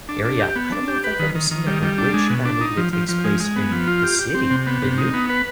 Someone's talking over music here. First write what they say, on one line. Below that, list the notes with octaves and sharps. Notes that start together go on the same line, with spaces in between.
area. I don't know if I've ever seen, like, a witch kinda movie that takes place in the city. Have you?
D4
D4
G4
B3
D4
G4
B4
D#3
D#3
D#3
G3
G3
D4
G#3
B2
D4
D#4
F3
F3
F3
G#3
G#3
B3
F3
F4
G4
G4
C4
C3
B3
C3
D#4
B3
B4